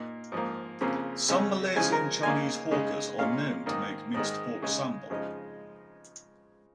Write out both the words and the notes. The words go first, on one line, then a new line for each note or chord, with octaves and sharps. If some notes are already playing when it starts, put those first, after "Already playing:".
Some Malaysian Chinese hawkers are known to make minced pork sambal.
Already playing: A#2 A#3 D#4
G#2 F3 A#3
F2 C#3 F3 A#3
F2 C#3 G#3 C#4
C#3 F3 G#3 G#5
A#4
C#3 A#3 D#4 G#5
C#3 G#3 D#4
A#2 G#3 C#4 F5
G#2 D#3 A#3
G#2 D#3 G#3
C#3 G#3 D#4
C#3 F3 G#3 D#4